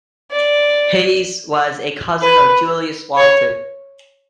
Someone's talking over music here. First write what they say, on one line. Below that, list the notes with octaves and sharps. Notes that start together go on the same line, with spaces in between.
His was a cousin of Julius Walter.
D5
B4
C#5